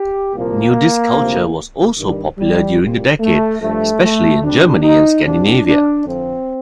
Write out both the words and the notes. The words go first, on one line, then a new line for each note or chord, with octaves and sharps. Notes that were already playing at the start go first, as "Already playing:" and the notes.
Nudist culture was also popular during the decade, especially in Germany and Scandinavia.
Already playing: G4
C2 A#2 F3 A#3
D2 C3 F3
G2 D#3 G3
G3
C2 A#2 G3
A3
G2 F3 A3
A3
D2 C3 G3 D4
D#4
C2 C3 F3 D4
D4
F2 D3 F3 C4